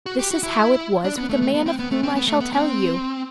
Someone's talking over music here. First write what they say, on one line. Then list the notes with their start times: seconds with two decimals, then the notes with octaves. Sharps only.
This is how it was with a man of whom I shall tell you.
0.06 F#4
0.19 G4
0.31 F#4
0.43 E4
1.04 D4
1.18 B3
1.29 A3
1.42 A3
1.54 B3
1.66 C4
1.79 B3
1.91 A3
2.03 C4
2.15 B3
2.28 A3
2.40 B3
2.53 C4